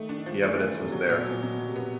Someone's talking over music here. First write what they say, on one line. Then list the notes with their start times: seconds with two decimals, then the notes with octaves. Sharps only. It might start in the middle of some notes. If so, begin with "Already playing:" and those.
The evidence was there.
Already playing: D#3 A3
0.09 D4
0.18 D#3
0.26 F3
0.43 E3 A3
0.55 D#3
0.60 A3
0.68 D3
0.76 C3 A3
0.92 B2 F#3
1.05 A#2
1.09 B3
1.17 B2
1.26 A#2 F#3
1.42 B2 F#3
1.59 F#3
1.67 C3
1.75 B2 B3